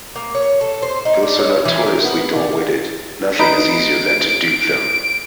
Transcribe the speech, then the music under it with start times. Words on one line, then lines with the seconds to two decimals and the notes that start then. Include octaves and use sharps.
Ghosts are notoriously dull-witted; nothing is easier than to dupe them.
0.16 A#3
0.35 C#5
0.61 A4
0.82 C5
1.05 D#4
1.23 D4
1.39 C#5
1.65 E3
1.86 A#4
2.05 B3
2.36 D3
3.39 D#4 B4 D7